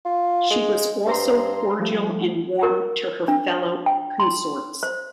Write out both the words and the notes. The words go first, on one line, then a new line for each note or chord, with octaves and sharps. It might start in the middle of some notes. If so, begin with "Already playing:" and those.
She was also cordial and warm to her fellow consorts.
F4
G#3
G2 C5 A#5 C6
F3 G3 A3
A#4
D4
G5
C6
C5